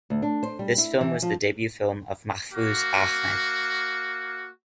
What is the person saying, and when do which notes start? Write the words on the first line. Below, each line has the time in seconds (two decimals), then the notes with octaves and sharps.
This film was the debut film of Mahfuz Ahmed.
0.10 D2
0.22 D4
0.43 C5
0.59 G3
0.78 E4
1.01 E3
1.22 F3
2.52 A#3 F#4